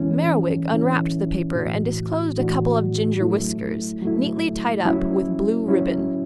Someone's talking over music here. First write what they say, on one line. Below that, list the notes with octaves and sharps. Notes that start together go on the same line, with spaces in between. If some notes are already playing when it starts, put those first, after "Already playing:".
Merriwig unwrapped the paper, and disclosed a couple of ginger whiskers, neatly tied up with blue ribbon.
Already playing: E3 G#3 C#4 E4
E3 G#3 C#4 E4
A2 E3 A3 D4 F#4
A2 E3 A3 D4 F#4
F#3 A3 E4
F#3 A3 E4
F#3 C#4 E4
F#3 C#4 E4